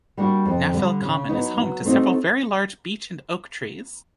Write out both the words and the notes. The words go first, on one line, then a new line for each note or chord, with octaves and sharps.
Naphill Common is home to several very large beech and oak trees.
G3 A#3 D4 F#4
F2
D3 G3
C#3
F#3 B3 D#4
F#3
A3 C4 D#4 F#4